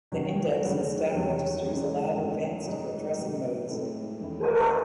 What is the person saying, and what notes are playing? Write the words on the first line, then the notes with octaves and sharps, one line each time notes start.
The index and stack registers allowed advanced addressing modes.
D#2 D#3 F#3 C#4
D#2 C#3 F#3 A3
E2 C3 D#3 F#3
G#2 E3 G#3 C#4
G#1 F#2 D#3 A3 C#4
G#2 F#3 A3 D#4 G#4
C3 F#3 A3
A2 G#3 C4 E4 A4
E2 D#3 A3 C#4 E4